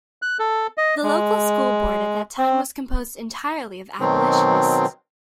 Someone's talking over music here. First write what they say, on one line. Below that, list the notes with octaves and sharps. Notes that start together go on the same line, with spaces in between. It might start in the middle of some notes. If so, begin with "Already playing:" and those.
The local school board at that time was composed entirely of abolitionists.
F#6
A4
D#5
G#3
C4
B2 D#3 F#3 C4